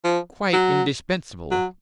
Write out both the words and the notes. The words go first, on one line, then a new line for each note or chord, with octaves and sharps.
"Quite indispensable."
F3
F#3
F#3